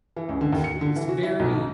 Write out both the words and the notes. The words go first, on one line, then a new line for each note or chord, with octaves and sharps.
he's very
E3
C#2
D3
D#2
C#7
D3
E3
F#4
E4
B1
G#2